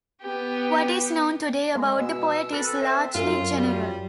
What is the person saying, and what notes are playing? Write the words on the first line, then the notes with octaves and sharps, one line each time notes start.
What is known today about the poet is largely general.
B3 G4
G#3
B2 E6
C4 A4 B4
C4 E5
F#2 F4
G3